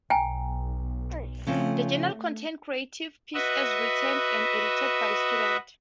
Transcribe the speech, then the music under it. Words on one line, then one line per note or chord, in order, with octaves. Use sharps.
The journal contains creatives pieces as written and edited by students.
B1 G5 G#5 A#5
C#3 F3 A3 C4
F#4 B4 D#5 E5